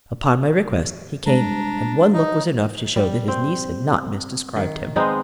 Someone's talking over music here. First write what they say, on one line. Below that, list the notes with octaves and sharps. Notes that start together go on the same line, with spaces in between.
Upon my request he came, and one look was enough to show that his niece had not misdescribed him.
G3 G#3 D4 A#5
D#4
G3
C4
D#3
G#3 B3 C4 D#4